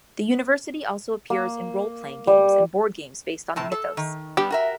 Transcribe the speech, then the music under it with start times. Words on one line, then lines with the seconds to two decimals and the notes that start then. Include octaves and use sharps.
The university also appears in role-playing games and board games based on the mythos.
1.30 A#3
2.27 G3
3.56 A2 C3 A5
3.72 A4
3.97 D#3
4.37 G3 B3 D4 G4
4.50 F#4 A#4 E5